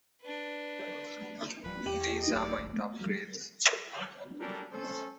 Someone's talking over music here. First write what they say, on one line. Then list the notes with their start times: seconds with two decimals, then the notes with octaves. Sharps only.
These are my top grades.
0.22 D4 B4
1.64 D1 F3 G3 B4
1.86 E2 G4 D#7 F#7
2.00 C#4
2.22 D#5
2.34 G#1 F#2 D5
2.57 D#1 G#1 G#2
4.41 F#3 G3 C#4 D4 A4 A#4
4.72 C#4 A4 C5